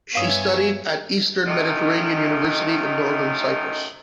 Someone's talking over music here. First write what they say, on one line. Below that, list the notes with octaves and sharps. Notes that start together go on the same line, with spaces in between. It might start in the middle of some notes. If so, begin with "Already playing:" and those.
She studied at the Eastern Mediterranean University in Northern Cyprus.
G2 B3 C#5 E5 F5 G#5 D#6
F#2 A2 D#3 A3 D#4